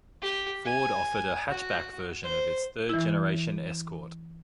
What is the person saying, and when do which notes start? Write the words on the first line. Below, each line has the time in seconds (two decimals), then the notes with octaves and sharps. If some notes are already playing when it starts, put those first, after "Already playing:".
Ford offered a hatchback version of its third-generation Escort.
0.22 G4
0.65 G#5
1.48 F#4
2.24 C5
2.89 E3 E4